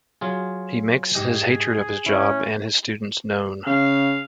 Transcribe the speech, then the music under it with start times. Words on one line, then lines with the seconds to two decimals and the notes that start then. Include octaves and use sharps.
He makes his hatred of his job and his students known.
0.21 F#3 F4 G#4
1.15 G#2 G4 G#4 D#5
2.06 C#4 E4
3.66 C#3 F5